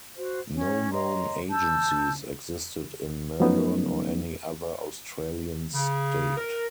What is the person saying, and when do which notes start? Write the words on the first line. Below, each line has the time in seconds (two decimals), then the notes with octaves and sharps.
No known agencies existed in Melbourne or any other Australian State.
0.17 F#4 C5
0.55 C#4 C#5
0.92 C#5 D#5 A#5 C6
1.51 A5 E6 G6
3.40 F3 F#3 A3 B3 C#4 D#4
5.74 C#3
6.37 A#4